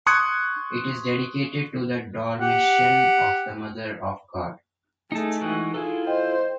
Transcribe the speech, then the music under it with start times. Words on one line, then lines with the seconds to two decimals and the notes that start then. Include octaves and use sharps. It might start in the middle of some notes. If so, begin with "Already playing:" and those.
It is dedicated to the Dormition of the Mother of God.
0.06 C6 C#6 D#6 F#6 G#6 C#7
2.40 G4 F#5
5.12 A3 D#4 G#4 A5
5.41 E3 G#3 D#4 F#4 G5
5.74 E4 F4 G#4 A4
6.07 C5 D#5 G5